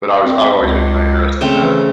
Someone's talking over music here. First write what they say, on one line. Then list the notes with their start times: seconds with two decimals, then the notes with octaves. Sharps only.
But I was I've always been kinda interested in that.
0.26 C4
0.60 C#2
1.41 C#3 A3 C4
1.62 E3